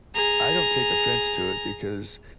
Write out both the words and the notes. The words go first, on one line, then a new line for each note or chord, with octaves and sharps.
I don't take offense to it because,
G#4 A#5